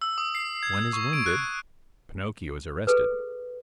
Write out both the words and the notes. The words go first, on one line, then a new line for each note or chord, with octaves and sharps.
One is wounded. Pinocchio is arrested.
E6
D#6
C7
G#6
C#6
D7
F#6
G#4 A4 B4